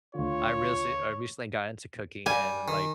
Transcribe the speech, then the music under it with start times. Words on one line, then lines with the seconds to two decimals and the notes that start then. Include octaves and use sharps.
I rece I recently got into cooking and like,
0.15 D2 D3 F4 C#5
2.26 G3 G#5
2.68 D#3